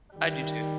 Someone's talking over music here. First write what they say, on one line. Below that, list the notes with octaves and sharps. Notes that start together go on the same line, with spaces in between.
I do too.
D#3 G3